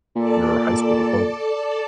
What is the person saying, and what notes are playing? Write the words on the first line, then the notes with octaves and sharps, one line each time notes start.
your high school diploma.
A#2 A4 D5 A5